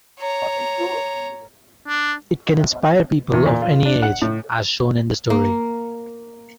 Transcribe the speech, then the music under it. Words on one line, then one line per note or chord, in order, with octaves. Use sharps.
It can inspire people of any age, as shown in the story.
C#5 A#5
D4
E2
A#2
F4
D4
F#5
A2
A#3